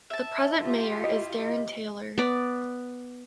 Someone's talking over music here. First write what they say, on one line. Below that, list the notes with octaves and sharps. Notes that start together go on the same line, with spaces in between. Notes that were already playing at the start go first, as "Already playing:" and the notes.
The present mayor is Darin Taylor.
E5 A5
E4 F4 G4
D#5
B3 D5